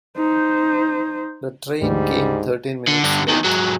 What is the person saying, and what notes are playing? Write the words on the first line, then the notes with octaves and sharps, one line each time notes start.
The train came thirteen minutes late.
D#4 C5
D2 G#2 D3 G3
D3
G2 D3
E2 D#3
G#2 F#3